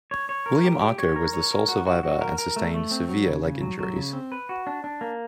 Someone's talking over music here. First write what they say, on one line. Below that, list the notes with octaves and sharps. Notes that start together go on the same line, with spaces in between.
William Arko was the sole survivor and sustained severe leg injuries.
C#5
C#5
A#4
G4
G4
C#5
A#4
C#5
A#4
F#4
F#4
F#4
A#4
A#4
A3
A3
C4
F#3
C#3
C#3
F#3
F#3
C#3
C4
B4
F#4
D4
D4
A#3